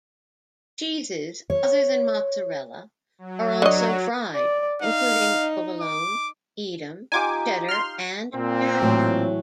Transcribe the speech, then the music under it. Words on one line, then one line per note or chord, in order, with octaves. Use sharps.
Cheeses other than mozzarella are also fried, including provolone, Edam, cheddar, and American.
C#5
F#3
D3 D#5
D5
D#4 F5
D6
D#4 F4 G4 G#5 D6
C6 F6
A#2 C4
A2 E3 F#3